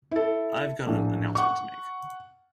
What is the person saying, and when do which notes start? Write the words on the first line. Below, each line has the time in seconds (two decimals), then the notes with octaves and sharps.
Iâve got an announcement to make.
0.11 E4 A4
0.87 A#1 A2
1.35 F#5 C#6